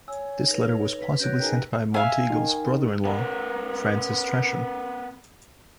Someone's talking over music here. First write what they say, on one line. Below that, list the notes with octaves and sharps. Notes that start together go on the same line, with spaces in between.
This letter was possibly sent by Monteagle's brother-in-law, Francis Tresham.
C#5 G#5 E6
D#4 A4 B4 A#6 F7
B4 B6
C#4 F#4 C#5 F#6 G6 A#6 B6 D7
D#4 G#4 A#4 B4 G5
E5 F5 G#5
D#3
B3 A#4